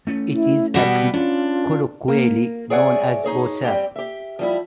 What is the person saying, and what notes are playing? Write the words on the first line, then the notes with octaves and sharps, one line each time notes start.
It is colloquially known as BuSab.
A3 C#4
E4
B2 G3 B3 F#5
C#4 D4 F4
A#3
G#4 C#5 D5 E5 F#5 G#5
D#4 G#4 C#5
G3 C4 G4
G4 E5
F3 G3 E4